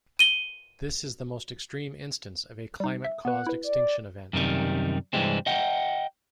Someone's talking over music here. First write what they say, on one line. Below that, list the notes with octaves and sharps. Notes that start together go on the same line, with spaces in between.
This is the most extreme instance of a climate-caused extinction event.
D#7 G7
G3 D#4
E5
B3 B4 F#5
E4 B4
D5
F#2 C3 D#3 G3
G2 C3 E3 G3 G#3 C4
D#5 F#5 G5